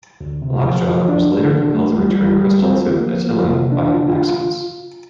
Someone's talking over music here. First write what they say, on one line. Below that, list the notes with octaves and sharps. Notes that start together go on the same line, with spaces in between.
Lockjaw was later compelled to return Crystal to Attilan by Maximus.
D2
C3
F3
F3
D4
D4
D4
A3
G3
G3
G3
C4
A#3
F3
A#3
C3
D4
F4
F4